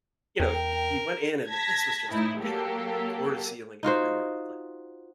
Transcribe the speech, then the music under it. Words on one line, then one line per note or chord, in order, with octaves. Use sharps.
You know, he he went in, and the place was just, like, packed, like, floor to ceiling everywhere with, like,
E2 A#4 G5
A5 G#6 A#6 B6
A2 E3 D#4 E4
F#3 A#3 G4 A4
D#4 F4 F#4 C5